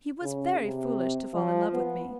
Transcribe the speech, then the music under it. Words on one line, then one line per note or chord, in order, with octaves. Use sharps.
He was very foolish to fall in love with me.
C#3
C3
F3
B3